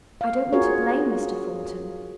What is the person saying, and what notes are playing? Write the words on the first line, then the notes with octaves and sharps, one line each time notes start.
I don't mean to blame Mr. Thornton.
F5
F4 F#4 G#4 A#4 C#5